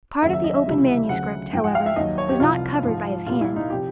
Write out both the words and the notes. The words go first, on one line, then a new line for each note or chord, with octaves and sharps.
Part of the open manuscript, however, was not covered by his hand.
D#2 C#3 F#3 E5
E5
D#5
E5
C#2 C3 E3 G3
D2 C#3 F#3 F#5
G#2 F3 G5
F#5
F5
E5
D#2 D#3 F#3 D#5
C#5
G4
C2 C3 F3 F4
G#2 F3
C2 A#2 G3 F4
E4
D#4
C3 F3 G4